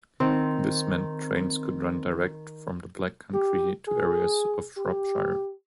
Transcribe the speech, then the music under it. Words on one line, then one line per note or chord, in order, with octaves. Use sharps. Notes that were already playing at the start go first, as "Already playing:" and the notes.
This meant trains could run direct from the Black Country to areas of Shropshire.
D#3 C4
G4
G#4
G4